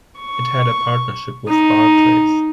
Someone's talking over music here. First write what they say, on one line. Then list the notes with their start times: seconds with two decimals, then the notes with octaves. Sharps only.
It had a partnership with Barclays.
0.19 C#6
1.48 D#4